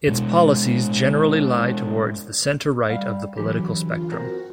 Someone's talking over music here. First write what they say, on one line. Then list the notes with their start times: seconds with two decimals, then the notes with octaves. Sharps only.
Its policies generally lie towards the centre-right of the political spectrum.
0.08 B2 G#3
2.90 G3 F5
3.37 D3 E3 F#3 G4
3.83 F4
4.12 C4 F#4 A#4 C5